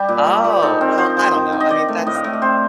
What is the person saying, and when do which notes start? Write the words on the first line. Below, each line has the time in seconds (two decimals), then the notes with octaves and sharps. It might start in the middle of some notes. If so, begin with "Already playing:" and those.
Oh, well, I don't know. I mean, that's
Already playing: G3 G4
0.08 A#2
0.26 G3
0.44 A#2
0.62 D#4 A4
0.81 C4 A#4
0.98 F3 C5
1.17 F3
1.34 D#3
1.53 D#3
1.60 D#5
1.70 D#3 D5
1.88 A3
2.07 A2 D#5
2.15 F5
2.24 A2 D#5
2.33 D5
2.42 C4 C5